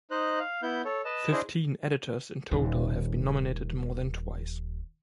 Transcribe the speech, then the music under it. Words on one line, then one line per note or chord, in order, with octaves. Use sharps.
Fifteen editors in total have been nominated more than twice.
D#4 C5 D#5 F#6
F5
B3 E4 G6
A4 C#5
B4 D#5 A5
D4 E4 G#4 C5 D#5
D#1 D#2